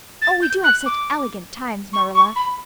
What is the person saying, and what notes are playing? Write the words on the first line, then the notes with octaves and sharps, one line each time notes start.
Oh, we do have such elegant times, Marilla.
A6
G6
F#6
D6
C#6
C#6
B5